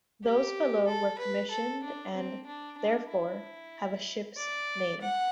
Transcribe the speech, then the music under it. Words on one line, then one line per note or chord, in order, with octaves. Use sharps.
Those below were commissioned and, therefore, have a ship's name.
G4
A4
B4
A4
D4
C4
D4
D4
E4
D5
F#5